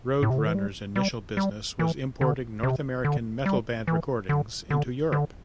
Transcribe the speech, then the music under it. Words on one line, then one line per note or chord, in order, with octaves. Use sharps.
Roadrunner's initial business was importing North American metal-band recordings into Europe.
A2
C3
D3
E3
G3
G3
G3
E3
D3
C3
D3
G3
E3
D3
D3
D3